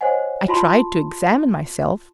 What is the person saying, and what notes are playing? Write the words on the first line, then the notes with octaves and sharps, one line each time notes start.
I tried to examine myself.
C5 C#5 D#5 F#5 G#5
F4 F#4 A5 B5 C6